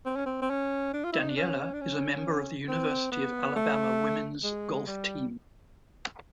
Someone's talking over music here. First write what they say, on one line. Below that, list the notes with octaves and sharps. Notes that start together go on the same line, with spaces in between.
Daniela is a member of the University of Alabama Women's Golf Team.
C4
C#4
C4
C4
C#4
D4
F4
E4
D#4
D4
C#4
D4
C#4
C4
B3
A3
G#3
G3